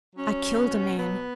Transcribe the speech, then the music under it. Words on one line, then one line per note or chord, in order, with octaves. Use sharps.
I killed a man.
F#3 C#4
B2
B2
F#3 B3